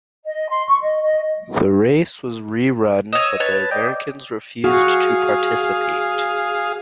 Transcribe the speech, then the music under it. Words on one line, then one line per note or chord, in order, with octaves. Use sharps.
The race was re-run, but the Americans refused to participate.
D#5
C6
C#6
D#5
D#5
C#5 D#5 E6
B4 C#5 A5
D5 D#5 G5
F#4 G#4 F5